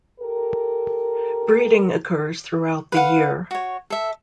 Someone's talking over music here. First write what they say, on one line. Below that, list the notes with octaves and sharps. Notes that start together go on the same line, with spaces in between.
Breeding occurs throughout the year.
G4 A4 A#4
B4 F5 F#5
F#4 C#5
A4 E5